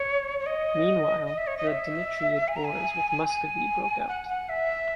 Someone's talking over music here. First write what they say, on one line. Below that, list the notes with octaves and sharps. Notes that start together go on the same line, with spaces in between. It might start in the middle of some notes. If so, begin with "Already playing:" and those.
Meanwhile, the Dimitriad wars with Muscovy broke out.
Already playing: C#5
C#5
D#5
D#5
E5
C#5
D#5
E5
G#5
A#5
G#5
G#5
F#5
F#5
E5